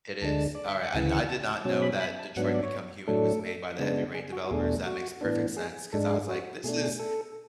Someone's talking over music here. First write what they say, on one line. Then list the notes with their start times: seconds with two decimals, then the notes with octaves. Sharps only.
It is, alright, I no I did not know that Detroit: Become Human was made by the Heavy Rain developers, that makes perfect sense 'cause I was like, "This is
0.22 D2 D3 G#3 D4 A5
0.55 D5
0.68 E5
0.81 F#5
0.93 D2 C#3 E3 G#5
1.12 F#5
1.29 A5
1.47 A5
1.65 B2 F#3 C#4 A5
1.82 B5
2.00 B5
2.19 A5
2.36 G#2 F#3 B3 D4 F#5
2.45 E5
2.55 D5
2.63 C#5
3.07 A2 F#3 A3 D4 A4
3.79 C#3 G#3 B3 D4
4.15 G#4
4.33 F#4
4.45 F#4
4.50 E2 B2 A3 D4 G#4
4.86 F#4
5.21 A2 E3 B3 D4
5.57 G#4
5.93 G#2 G#3 D4 A4
6.11 G#4
6.29 F#4
6.64 B2 A3 D4 G#4
6.82 G#4
6.99 A4